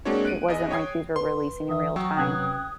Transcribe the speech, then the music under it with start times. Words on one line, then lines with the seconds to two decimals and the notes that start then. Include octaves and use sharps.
it wasn't like these were releasing in real time.
0.05 G#3 A#3 C4 D4 F#4 C#5
0.25 F#6 D7 D#7
0.48 E2 D#5 G#5
0.71 C#5 G5 D#6 G#6 C7
1.16 B4 C6
1.69 E3 E5 D#6
1.96 F#3 G5 C#6 E6
2.17 C3 C#4 B4 G5 F#6 G#6